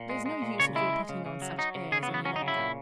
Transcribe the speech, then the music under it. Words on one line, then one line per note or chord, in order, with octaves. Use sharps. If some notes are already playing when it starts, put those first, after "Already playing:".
There's no use of your putting on such airs any longer.
Already playing: A#2
G#3
G#3
A#2
C#3 C#5
G#3 E4
G#3
C#3
C#3
F#3
F#3 D#4
C#3
C#3 G#4
B3
F#3
B3
F#3 C#4
D#4
C#3
E4
A#2